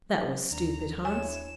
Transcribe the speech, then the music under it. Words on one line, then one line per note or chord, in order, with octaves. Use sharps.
'That was stupid, Hans.
F#3 C#4
D#2 D4 A#5
E4 C#5 G#5 E7